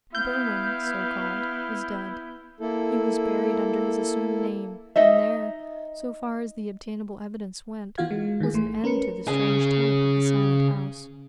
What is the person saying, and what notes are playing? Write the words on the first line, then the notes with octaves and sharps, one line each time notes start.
Berwin--so called--was dead; he was buried under his assumed name, and there, so far as the obtainable evidence went, was an end to the strange tenant of the Silent House.
B3 E4 F5 G6
A#3 E4 A4
D#4 D#5 E5
E3 B3 F4 F#4 F5 G#6
G#3
D#3 E3 G#4
G#1 A3 C6
C#4 A#4 B4 C#7
C#3 G#4